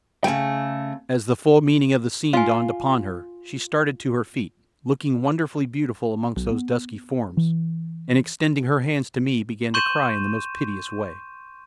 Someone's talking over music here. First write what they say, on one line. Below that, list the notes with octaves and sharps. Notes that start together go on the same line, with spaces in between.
As the full meaning of the scene dawned upon her she started to her feet, looking wonderfully beautiful amongst those dusky forms, and extending her hands to me began to cry in the most piteous way.
C#3 A3 G5 G#5
F4 F5 G#5
B1
B3
E3
C6 C#6 G6 D#7 E7